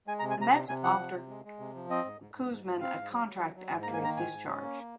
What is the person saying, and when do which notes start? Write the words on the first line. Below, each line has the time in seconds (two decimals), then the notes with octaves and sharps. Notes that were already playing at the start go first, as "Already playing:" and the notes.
The Mets offered Koosman a contract after his discharge.
0.07 G#3 G#5
0.19 A#5
0.22 C3
0.31 G#5
0.39 C3 A#5
0.52 C3 A#5
0.69 C3 G#5
0.83 F3 F#5
0.99 C3
1.14 C3
1.29 G#3
1.45 G#3
1.59 C3
1.75 F3
1.90 C4 D#5
2.05 G#2
2.20 G#2
2.34 G#2
2.50 G#2
2.66 G#2
2.80 C4 F5
2.96 G#2
3.11 F#3
3.26 F#3
3.41 F#3
3.56 F#3
3.71 G#2 G#5
3.83 A#5
3.86 A#3
3.94 G#5
4.02 D#3 A#5
4.16 G#2 G#5
4.32 G#2
4.46 C#4
4.62 A#3